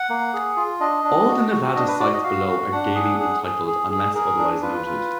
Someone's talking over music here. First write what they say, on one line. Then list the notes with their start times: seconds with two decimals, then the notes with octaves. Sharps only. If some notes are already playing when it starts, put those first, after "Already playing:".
All the Nevada sites below are gaming-entitled, unless otherwise noted.
Already playing: F#5
0.10 A#3
0.33 G#4
0.57 F4
0.80 D4 D#5
1.04 D4
1.28 F#4
1.52 F#4
1.76 D4 D#5
1.88 B4
2.00 F#4 D5
2.13 D#5
2.24 F#4 F5
2.47 F#4
2.72 D4 F#5
2.95 G#4
3.20 G#4
3.43 G#4
3.67 G#4
3.91 G#4
4.15 G#4 A#4
4.39 D4
4.62 F4 B4
4.86 F4